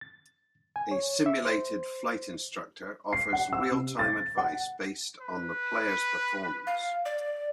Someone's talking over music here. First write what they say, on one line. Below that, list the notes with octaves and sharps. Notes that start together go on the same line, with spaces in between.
A simulated flight instructor offers real-time advice based on the player's performance.
A6
G#5
C#5
E5
C5
C7
F#5
E6
C3
A6
F#5
B4
F5
D5